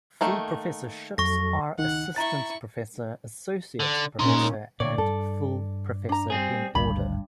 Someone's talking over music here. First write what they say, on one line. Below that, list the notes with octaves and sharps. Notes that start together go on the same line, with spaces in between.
Full professorships are assistant professor, associate professor, and full professor in order.
D#3 A3 A#3
F2 F#3 A4 C#6 A#6
C#2 D#3 D#4 F#5
E4 A#5 C#6 A6
D3
A#2 C#4 D#4 C6
A#2 D3 C#5 D5
G2 A4
D4 A#5
G3 C4 G#4 C5
G#1 D2 G2 B5